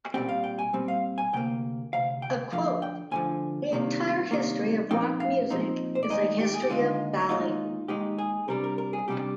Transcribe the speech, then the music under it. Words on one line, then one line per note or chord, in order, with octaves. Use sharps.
A quote: The entire history of rock music is a history of ballyhoo.
A#2 G3 C4 G5
F5
G5
G#5
A#2 G3 C4
F5
G#5
D2 C3 A#3 G5
D2 C3 F5
G5
D2 D3 F3 F5
G5
D2 D3 F3 G#5
C2 C3 D#3 A#3
C2 C3 D#3 A#3
A#2 F3 C4 D#4 G5
F5
A#2 F3 C4 D#4
C5
D5
D#2 D3 G#3 D#4 D#5
G4
G#4
G4
D#2 D3 G#3 D#4 F4
D#2 D#3 G#3 D#4 F4
D#2 D#3 G#3 D#4 G4
G#4
C3 G3 D4 A#4
A#4
A#4
G#4
C3 G3 D4 G4